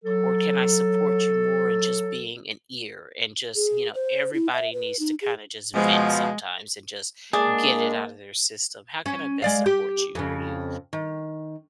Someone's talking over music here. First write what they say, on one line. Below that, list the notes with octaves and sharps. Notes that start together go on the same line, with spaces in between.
or can I support you more in just being an ear and just you know, everybody needs to kinda just vent sometimes and just get it outta their system. How can I best support you? Are you
F#3 A4
G#4
C5
E4
E5
B4
D#4
G#4
B2 F3 G#3
G#3 A#3 D4 G#4
C#4
G#3 D5 F5
G4
F2 C#3
D#3